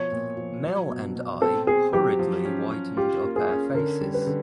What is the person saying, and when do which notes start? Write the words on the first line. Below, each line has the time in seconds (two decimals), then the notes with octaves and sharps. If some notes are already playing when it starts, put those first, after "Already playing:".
Mel and I hurriedly whitened up our faces.
Already playing: B2 F3 C#5
0.12 A#2
0.37 F3
0.64 F#3
0.89 B2
1.16 B2
1.41 C4 A4
1.67 C4 G#4
1.93 F#3 G4
2.19 F3
2.45 C#4
2.71 C#4
2.97 F4 G4
3.22 A#3
3.36 G#4
3.49 C#4
3.74 D3 A#4
4.01 G3
4.14 B4
4.27 D3